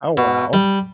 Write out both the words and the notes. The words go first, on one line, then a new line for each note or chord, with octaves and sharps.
Oh, wow.
B2
G3